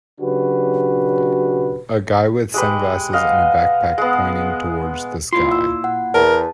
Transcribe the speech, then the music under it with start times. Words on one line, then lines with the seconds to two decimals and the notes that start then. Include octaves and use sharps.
A guy with sunglasses and a backpack pointing towards the sky.
0.20 C#3 F#3 D4 F#4 G4 B4
2.54 G#3 G4 B4
3.13 D#5 F5 F#5
3.98 G#3 B3
5.33 A#2 E4 F4 C6
5.52 E6
5.84 F#5
6.14 E2 A#4 A5